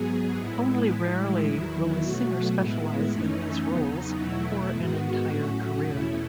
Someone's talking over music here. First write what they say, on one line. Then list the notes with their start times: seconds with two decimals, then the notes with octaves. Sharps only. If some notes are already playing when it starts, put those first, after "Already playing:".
Only rarely will a singer specialize in these roles for an entire career.
Already playing: G#2 F#3 B3 G#4
0.38 A2 G#3 B3 E4
0.92 A2 E3 G#3
1.47 E2 D#3 F#3 E4
2.01 B2 F#3 A3 F#4
2.56 A2 G#3 B3 E4
3.10 F#2 E3 A3 C#4 D#4
3.65 E2 C#3 F#3 B3
4.19 E2 B2 F#3 A3 E4
4.74 G#2 D#3 G#3 B3 F#4
5.28 A2 F#3 A3 C#4
5.83 E2 B2 A3 C#4 E4